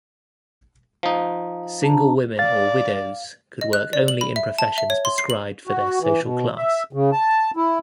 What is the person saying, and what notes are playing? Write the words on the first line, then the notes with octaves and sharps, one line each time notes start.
Single women or widows could work only in professions prescribed for their social class.
F3 D#4
D4 A5 A#5
D5 F5 A6
D#5
F#6
D5
F#7
B5
E5
A5
E5
C#5
C6
C7
F#7
F#4
E3
B2
E5
C#3
A5
E4